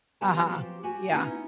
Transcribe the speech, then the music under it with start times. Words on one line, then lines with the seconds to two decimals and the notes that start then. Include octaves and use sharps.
Uh-huh, yeah.
0.21 F#3 B3 F#4 G4 G#5 A5
0.50 F3 C4 G4
0.83 F#4 G4 G#5
1.12 B3 C#4 D#4 E4